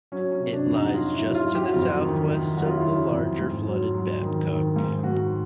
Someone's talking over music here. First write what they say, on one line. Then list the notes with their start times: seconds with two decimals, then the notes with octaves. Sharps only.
It lies just to the southwest of the larger, flooded Babcock.
0.12 F#3 C#4
0.32 C#4
0.39 C3
0.53 D4
0.66 F2
0.74 D#4
0.86 F#4
0.93 F#3 F4
1.13 E4
1.21 F#3
1.35 F4
1.49 F#3
1.55 G4
1.64 F#4
1.73 F2 F4
1.83 F#4
2.03 D#3
2.30 D#3
2.57 F#3 F#4
2.65 F4
2.73 E4
2.80 F#3 F4
3.12 F2
3.40 G#2
3.66 F#3
3.94 F#3
4.22 D#3
4.49 D#3
4.76 G#2
5.04 G#2 F#4